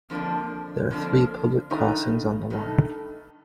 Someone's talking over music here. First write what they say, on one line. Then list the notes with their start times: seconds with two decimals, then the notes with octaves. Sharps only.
There are three public crossings on the line.
0.10 F2 D3 F3 A#3 D4
0.91 F2 D3 F3 A#3 D4
1.70 G2 D#3 A3 D#4
2.50 G2 D#3 A3 D#4